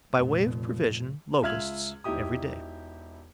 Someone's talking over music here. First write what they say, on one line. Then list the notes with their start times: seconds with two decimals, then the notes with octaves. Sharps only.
By way of provision, Locusts, every day.
0.16 F1 A#2
1.42 C#2 F4 E5 F6 G#6 F#7
2.04 E1 D#4 E4 G4 D#6